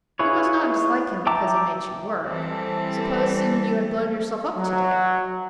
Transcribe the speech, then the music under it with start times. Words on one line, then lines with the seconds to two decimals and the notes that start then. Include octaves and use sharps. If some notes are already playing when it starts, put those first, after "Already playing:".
You must not dislike him because he makes you work. Supposing you had blown yourself up to-day!
0.19 E4 F4 G#4 B4 C#5
1.27 E5 G5 A5 A#5 D6
2.25 E3 G3 C4 A4
4.57 F#3